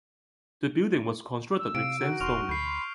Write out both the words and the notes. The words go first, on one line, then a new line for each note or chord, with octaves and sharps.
The building was constructed with sandstone.
E6
C3 F5 D7
D#4 F#4 A#4
E1 C6 C#6 F6 F7
D2 B5 G6 C7
C6